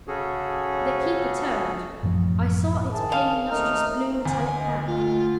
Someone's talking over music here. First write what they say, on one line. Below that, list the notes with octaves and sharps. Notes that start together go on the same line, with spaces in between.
The Keeper turned--I saw its palely lustrous blue metallic back.
C#3 C#4 F#4 G#4 A4
A1 F#2 A2 F3
D#3 G#4 A5
F5
D#2 A3 D#4 A#4 F6
D2 G#5
D#5
A3 F4